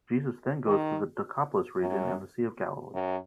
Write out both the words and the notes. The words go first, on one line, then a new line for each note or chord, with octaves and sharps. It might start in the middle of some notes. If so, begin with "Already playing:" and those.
Jesus then goes to the Decapolis region and the Sea of Galilee.
D#3
F#2
F#2